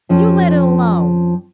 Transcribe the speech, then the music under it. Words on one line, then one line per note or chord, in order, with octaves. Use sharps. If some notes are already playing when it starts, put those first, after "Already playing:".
You let it alone!
F2 F3 C#4